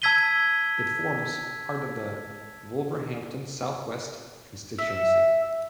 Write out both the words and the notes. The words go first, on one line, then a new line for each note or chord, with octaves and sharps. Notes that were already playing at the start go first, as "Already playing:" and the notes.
It forms part of the Wolverhampton South West constituency.
A5 E6 G#6 B6 D#7 G7
E5